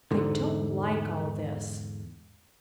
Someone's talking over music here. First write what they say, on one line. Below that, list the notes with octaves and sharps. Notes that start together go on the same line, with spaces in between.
I don't like all this.
E2 G#2 D3